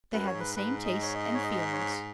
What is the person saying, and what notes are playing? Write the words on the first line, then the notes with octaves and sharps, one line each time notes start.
They had the same tastes and feelings.
F#2 B4
C#5
G#2
B4
G#2 B4
D#5
C#5
D#5
C#5
D#5
C#5